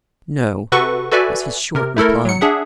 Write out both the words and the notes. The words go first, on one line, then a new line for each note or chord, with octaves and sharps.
"No," was his short reply.
C3 F#4 A4 B4 F#5 C#6
F#4 A4 B4 D5 E5 G#5
C3 A#4
A3 E4 A4 A#4
F#3 C#7
D4 G#4 E5 F#5